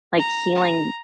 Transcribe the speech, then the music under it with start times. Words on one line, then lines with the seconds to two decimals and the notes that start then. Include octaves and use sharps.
like healing
0.19 A#5
0.55 A#5